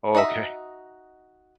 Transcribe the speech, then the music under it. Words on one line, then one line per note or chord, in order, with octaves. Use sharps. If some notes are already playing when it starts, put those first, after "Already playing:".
Oh, okay.
D#4 F#4 D#5 E5